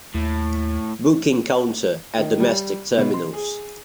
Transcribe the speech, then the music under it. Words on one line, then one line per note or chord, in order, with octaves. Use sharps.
Booking counter at domestic terminals.
D#2 A2
D#3
G3
B2
C6
G#4